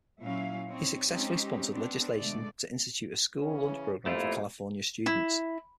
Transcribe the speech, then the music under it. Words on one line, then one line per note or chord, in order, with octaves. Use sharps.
He successfully sponsored legislation to institute a school lunch program for California students.
A#2 F#3 C#4 E4 F5
C4 D#4 C#5
G#3 C4 C#4 D#4 G4
B3 C4 D4
B2 D3 G#3 A3 D5
C#3 E3 C#4
B1 F2 A3 A#3 E4 F4 G4
E4